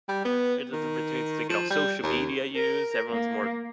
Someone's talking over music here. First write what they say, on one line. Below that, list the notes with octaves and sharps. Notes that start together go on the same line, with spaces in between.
it's a difference between, you know, social media use. Everyone's more,
G3
B3
D#3
F3
G3
D#2
A#4
A#3